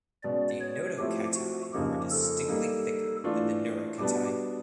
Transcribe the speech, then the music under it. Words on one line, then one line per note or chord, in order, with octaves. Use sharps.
The notochaetae are distinctly thicker than the neurochaetae.
B2 G#3 C#4 D5
C#5
F3 A3 C4 E4 G4
F#4
F2 C#3 F3 A#3 D#4 G4
A4
G3 A#3 D#4
E3 A3 D4 F4
B2 G3 B3 D4 G4